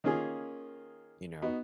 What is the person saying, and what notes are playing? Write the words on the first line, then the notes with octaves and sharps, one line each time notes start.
you know,
D#3 A#3 C#4 F4 G#4
B3 D#4 F#4